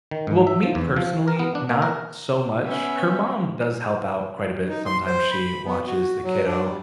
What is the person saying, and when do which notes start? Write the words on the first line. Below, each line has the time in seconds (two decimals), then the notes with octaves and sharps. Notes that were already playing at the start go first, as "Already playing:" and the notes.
Well, me personally, not so much. Her mom does help out quite a bit. Sometimes she watches the kiddo,
0.11 D#3
0.27 G#2
0.47 E5
0.63 F3
0.75 E2
0.96 F3
1.28 A#4
1.39 B3
1.55 D4
1.69 A#3
1.82 A#4
2.63 B3 C#4 E5
4.69 D#4
4.86 C6
5.06 C5
5.31 B5
5.66 B3
5.87 F#4
6.24 F#3
6.47 D4
6.66 G3